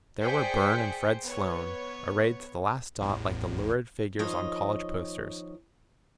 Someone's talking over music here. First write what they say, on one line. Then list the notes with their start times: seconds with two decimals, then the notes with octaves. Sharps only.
There were Burne and Fred Sloane arrayed to the last dot like the lurid figures on college posters.
0.22 G#4 C5 D5 G5 B6 C#7
1.23 B3 C#5
3.01 A1 E2 A2
4.19 D#3 F3 C#5 D#5